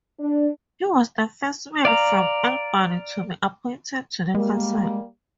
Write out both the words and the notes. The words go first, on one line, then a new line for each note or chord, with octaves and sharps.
He was the first man from Albany to be appointed to the council.
D4
D5 F5 A#5
G3 G#3 A#3